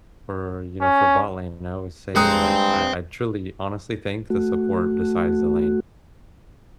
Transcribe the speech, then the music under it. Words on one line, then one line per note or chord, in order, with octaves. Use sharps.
for, you know, for bot-lane, I always say, like, I I truly honestly think the support decides the lane.
C#4
G2 G#3 C5 G5 A#5 D#6 F#6 C#7
A3 F#4